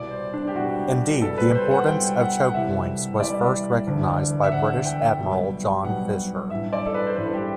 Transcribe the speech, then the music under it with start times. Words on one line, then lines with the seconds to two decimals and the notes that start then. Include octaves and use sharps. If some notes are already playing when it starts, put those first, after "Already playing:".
Indeed, the importance of choke points was first recognised by British Admiral John Fisher.
Already playing: C2 B2 G3 D5
0.10 C5
0.34 D4
0.47 G4
0.54 C2 B2 G3 F#4
1.22 C2 B2 G3 A4
1.38 B4
1.55 C5
1.71 F#5
1.87 C2 B2 G3 G5
2.04 G5
2.21 F#5
2.37 F#5
2.47 F#5
2.54 C2 C3 E3 G3 E5
3.20 C2 C3 E3 G3 D5
3.86 E1 D2 D3
4.43 E5
4.52 E1 D2 D3 F#5
4.85 G5
5.19 B1 B2 G3
5.84 B1 B2 G3 F#5
6.50 A1 G2 E3 E5
6.73 D5
6.86 A4
6.94 B4
7.06 C5
7.16 A1 G2 E3 B4
7.34 G4